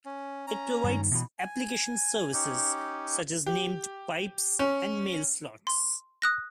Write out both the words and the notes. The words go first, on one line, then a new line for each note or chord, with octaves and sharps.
It provides application services such as named pipes and MailSlots.
C#4
C#4 A#5
G2 D#3
B2 E3
G#5
C#4 D#4 G4
G4
C#4
C6
D#6 F#6 A#6